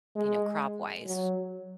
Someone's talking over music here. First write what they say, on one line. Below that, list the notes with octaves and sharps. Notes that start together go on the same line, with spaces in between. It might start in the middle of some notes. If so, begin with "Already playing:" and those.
you know, crop-wise.
G#3
F#3